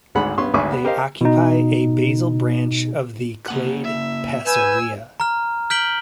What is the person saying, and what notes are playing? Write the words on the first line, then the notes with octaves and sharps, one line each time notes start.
They occupy a basal branch of the clade Passerea.
G#1 D2 G#2 G#3 F#5 B5
G2 B3 C#4 C6 C#6
G#1 D2 E5 G#5 C#6 D6
B3
G4 A#4 C5 D#5 F5
B2 D#4
C#3 A#3 F#5
E5
B4 G#5 E6 G6
A#5 F6
F6 G6 B6 D7 F#7 G7